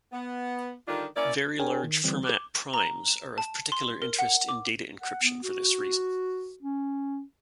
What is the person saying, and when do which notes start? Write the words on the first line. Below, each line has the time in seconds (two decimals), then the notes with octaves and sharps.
Very large Fermat primes are of particular interest in data encryption for this reason.
0.12 B3
0.88 D3 D#3 G3 D4 D#4 F4
1.16 A#3 C#4 E4 D5
1.59 D4 G#4 A#4 C#5 G5 G#5
1.84 D#3
2.04 D3 E3 G3 C4
2.25 D6
2.74 A#5
3.08 E7
3.38 A5
3.72 C6
4.02 A#4
4.19 F#5
4.49 D6
5.01 F#5
5.23 B3
5.44 F#4
6.63 C#4